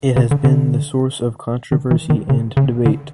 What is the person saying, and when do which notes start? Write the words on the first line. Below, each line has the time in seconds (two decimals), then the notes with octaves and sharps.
It has been the source of controversy and debate.
0.16 C#3
0.31 D3
0.45 D3
1.72 D#3
1.91 E3
2.10 D#3
2.29 C#3
2.57 C#3
2.86 D3